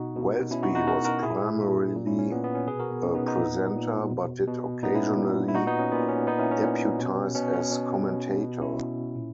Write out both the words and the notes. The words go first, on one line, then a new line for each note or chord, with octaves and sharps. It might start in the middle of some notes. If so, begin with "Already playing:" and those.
Welsby was primarily a presenter, but did occasionally deputise as commentator.
Already playing: B2 D#4 F#4
B2
B2 C#4 E4
D#4 F#4
D#4 F#4
B2 F#4 A#4
F#4 A#4
A#2 E4 G#4
A#2
A#2
C#4 E4
C#4
A#2 B3
B3
C#4
B2 G#4 B4
F#4 A#4
B3
B2 C#4
B3 D#4
B3 D#4
A#2
A#2
B2
B2
A#2 B3 D#4
C#4 E4
A#2
E4
A#2 D#4 F#4
B3 D#4
C#4
A#2 B3
C#4
A#2 B3 D#4
C#4 E4
C#4
A#2
B2
B2 C#4
C#4
B2
B2
B2
C#4 E4
B2
A#2